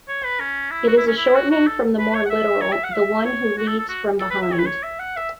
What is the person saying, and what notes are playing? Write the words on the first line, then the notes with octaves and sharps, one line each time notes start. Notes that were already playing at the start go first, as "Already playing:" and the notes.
It is a shortening from the more literal "the one who leads from behind".
C#5
B4
C#4
E4
F#4
E4
C#4
E4
F#4
F#4
A4
B4
B4
C#5
F#5
E5
C#5
E5
F#5
E5
C#5
F#4
A4
A4
F#4
A4
B4
E5
C#5
B4
C#5
E5
F#5
E5